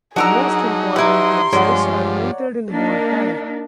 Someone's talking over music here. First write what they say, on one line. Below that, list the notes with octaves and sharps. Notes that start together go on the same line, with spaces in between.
The most important places are printed in bold type.
F#3 D4 D#4 F#4 G#4 A#4 A#5 E6
E4 G4 B4 A#5 C6
G2 F3 G#3 C#5 D5 F#5
A#3 D4 D#4 A#4